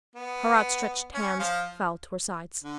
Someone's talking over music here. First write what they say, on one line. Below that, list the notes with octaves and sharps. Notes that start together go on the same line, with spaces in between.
Her outstretched hands fell to her sides.
B3
C#4
F3 F4
D3